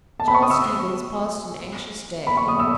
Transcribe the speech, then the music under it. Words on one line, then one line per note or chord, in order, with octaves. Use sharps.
Charles Stevens passed an anxious day.
A5
B5
C#6
D#6
C#6 E6
B5
C#6
D#6
E6